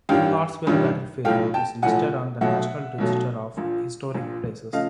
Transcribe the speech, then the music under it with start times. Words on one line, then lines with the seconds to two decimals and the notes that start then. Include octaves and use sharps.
Hartsville Battlefield is listed on the National Register of Historic Places.
0.09 A1 G2 D#3 G3 F5 G5
0.67 A1 G2 D#3 G3
1.25 B1 A2 F3 A3 F5 G5
1.54 G5 A5
1.82 B1 A2 F3 A3 F#5 G#5
2.41 B1 B2 F#3 A3 E5 F#5
2.98 B1 B2 F#3 A3
3.57 A#1 A#2 F3
4.14 A#1 A#2 F3
4.73 C#3 F3 A3 D#5 F5